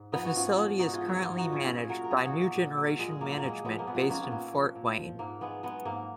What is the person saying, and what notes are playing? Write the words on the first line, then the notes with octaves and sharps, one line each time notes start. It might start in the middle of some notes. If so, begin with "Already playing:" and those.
The facility is currently managed by New Generation Management based in Fort Wayne.
Already playing: G#2
F3 B3 D#4
F#4
G#2 C#4 F4
F3
G#2 D#4 F#4
F4 G#4
F3
F#4 A#4
G#2 F4 G#4
D#4 F#4
F3
C#4 F4
A#2 F4 G#4
F#3 F#4 A#4
A#4
A#2 F4 G#4
D#4 F#4
F#3
A#3
A#2
F#3
A#2 G#3
G#3
F#3 A#3
A#3
A#2 G#3
F3 G#3 B3
A#3
A#2 G#3 B3
F4
D#4
F3 A#3 C#4
B3
A#2 A#3
F3
A#2
F3
G#2 A#3
D#3 G#3 B3
F#3 G#3 B3
G#2 A#3